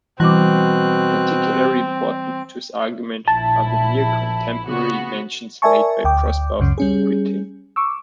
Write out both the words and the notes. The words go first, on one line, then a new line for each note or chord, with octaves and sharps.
Particularly important to his argument are the near-contemporary mentions made by Prosper of Aquitaine.
B2 E3 G3 C4 D6 F#6
A#1 E4 A5
C#3 B3 F#4
A#4 D5 E5 G#5 A5 C#6
D2 G5 D6
C#2 F#2 C#3
G3 C#4 G#4
C#6 D6 E6